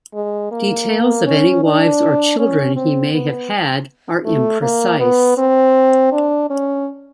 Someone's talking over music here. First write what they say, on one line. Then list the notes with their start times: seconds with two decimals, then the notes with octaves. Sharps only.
Details of any wives or children he may have had are imprecise.
0.14 G#3
0.51 A#3
1.26 C#4
1.64 D4
2.38 C#4
2.76 C4
3.13 B3
4.25 A3
4.62 A#3
5.00 B3
5.38 C4
6.12 D4
6.50 C#4